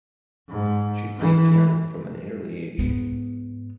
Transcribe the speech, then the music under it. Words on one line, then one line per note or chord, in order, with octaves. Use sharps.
She played piano from an early age.
G#2
E3
G#2 B3